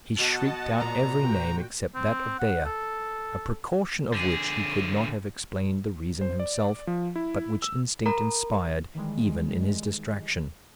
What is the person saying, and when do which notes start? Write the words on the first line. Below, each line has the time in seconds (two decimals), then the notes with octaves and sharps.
He shrieked out every name except that of Dea--a precaution of which he could not have explained the reason himself, but which instinct inspired even in his distraction.
0.19 B2 D#5 F#5 A5
0.80 A#2 A#5
1.22 F#4 G5
1.95 C4
2.39 F#5
2.65 A4
4.13 D3 G#4
6.21 C5
6.40 D5
6.87 F3
7.16 E4
7.62 E6
8.06 A#4 A#5 B5
8.95 D#3 E3 G3 G#3